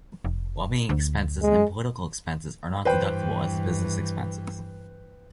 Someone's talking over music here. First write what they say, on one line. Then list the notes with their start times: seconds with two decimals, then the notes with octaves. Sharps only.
Lobbying expenses and political expenses are not deductible as business expenses.
0.24 F1
0.89 D2
1.42 G#3
2.85 G2 E3 B4 C5 G5